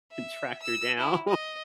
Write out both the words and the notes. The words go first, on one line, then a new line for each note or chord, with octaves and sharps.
tracked her down
E5
E6
E4
D#5